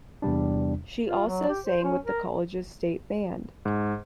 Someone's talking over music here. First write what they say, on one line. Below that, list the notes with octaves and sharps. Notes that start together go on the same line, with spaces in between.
She also sang with the college's stage band.
E2 C3 G3 D4
F4
F#3
G4
C5
C#4
A#4
G#2